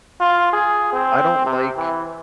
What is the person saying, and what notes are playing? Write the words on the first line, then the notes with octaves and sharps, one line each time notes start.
I don't like
F4
G#4
C4
C3
E3